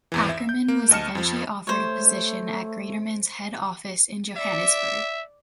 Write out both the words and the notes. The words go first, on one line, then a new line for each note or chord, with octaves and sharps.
Ackerman was eventually offered a position at Greatermans head office in Johannesburg.
G#1 E2 E3
E5
G6
A#3
D2 D#5 A5 F6 C#7 E7
F2 F3
A3 C5 C#5
D5 E5